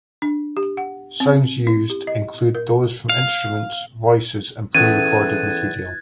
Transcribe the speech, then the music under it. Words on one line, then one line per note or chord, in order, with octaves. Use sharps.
Sounds used include those from instruments, voices, and pre-recorded material.
D4
G4
F#5
C4
E4
G4
D#5
A#4
F5
E2 C#4 A4 F#6 G#6 A6 D#7